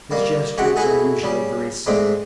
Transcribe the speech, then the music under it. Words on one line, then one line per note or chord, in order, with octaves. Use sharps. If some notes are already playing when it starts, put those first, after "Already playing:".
His gestures are usually very simple.
D#3 G3 A#3
C3 G#3 F#4 F#5 G5
D#4 E4 F#4 G#4 A4
C#3 G3
G#2 A3 C4 D4 D#4